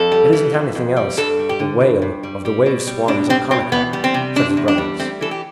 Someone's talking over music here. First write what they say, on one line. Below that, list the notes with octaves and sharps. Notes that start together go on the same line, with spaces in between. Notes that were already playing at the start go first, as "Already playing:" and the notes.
"It isn't anything else but the wail of the wave-swans of Connachar," said his brothers.
Already playing: F2 A4
G3
E3
F2
F2
G3
G2 A4
G3
G4
D3
G2
G2
G3
G3
B2
G3
B2 D4
G3 C4
B2 C4
E2 B3
G3
C4
C3
E2 D4
E2
D4
G3
A3 C4
E3 A4
G4